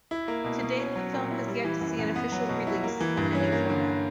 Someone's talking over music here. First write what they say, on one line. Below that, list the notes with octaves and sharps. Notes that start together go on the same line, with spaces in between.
To date, the film has yet to see an official release in any format.
E4
A#3
B2
B2
C#4
F#3
A#2
E4
G3
E3
F#2
F#2
B3
F#3
B2
E4
A#3
E3
G2
C#4
A#3
D3